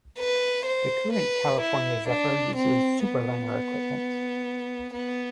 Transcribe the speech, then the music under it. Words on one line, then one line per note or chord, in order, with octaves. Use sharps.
The current "California Zephyr" uses Superliner equipment.
B4
C5
B4
E4
D4
C4
B3
B3